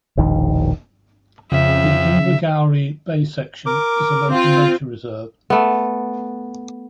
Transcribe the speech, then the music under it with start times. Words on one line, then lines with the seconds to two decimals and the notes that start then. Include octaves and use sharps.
The Invergowrie Bay section is a local nature reserve.
0.17 E1 A#1 D#3
1.52 F2 C#3 E5
3.66 A#4 D6
4.29 C4 F4 C5
5.50 A3 B3